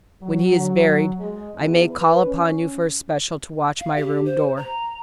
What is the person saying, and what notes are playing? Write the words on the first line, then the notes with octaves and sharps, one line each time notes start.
When he is buried, I may call upon you for a special to watch my room door.
F#3
F#3
G#3
E2
B4
C#4
F5
G4
C5
A#5